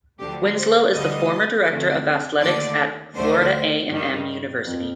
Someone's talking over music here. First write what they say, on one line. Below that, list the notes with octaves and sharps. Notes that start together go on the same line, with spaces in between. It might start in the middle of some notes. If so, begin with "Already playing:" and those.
Winslow is the former director of athletics at Florida A and M University.
D2 D3 F3 G4
C5
D2 D3 G3 D#5
F2 D3 A3
D#2 D3 A3 D5
D2 D3 A3 C5
G2 D#3 G3
F2